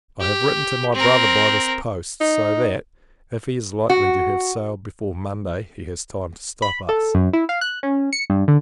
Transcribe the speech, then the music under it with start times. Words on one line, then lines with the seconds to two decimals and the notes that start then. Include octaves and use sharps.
I have written to my Brother by this post; so that, if he is likely to have sailed before Monday, he has time to stop us.
0.20 G4
0.94 C4 A#4
2.20 D#4
3.89 F#4
6.62 B5
6.89 A4
7.14 F#2
7.33 E4
7.49 F5
7.61 F#6
7.83 C#4
8.13 C#7
8.30 G2
8.48 D3